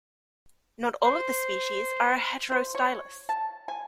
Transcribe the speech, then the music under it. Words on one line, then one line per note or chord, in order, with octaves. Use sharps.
Not all of the species are heterostylous.
C5
C5
C#5
A5
G#5